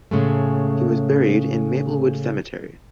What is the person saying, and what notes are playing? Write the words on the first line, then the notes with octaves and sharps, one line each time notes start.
He was buried in Maplewood Cemetery.
A2 C#3 G#3 A3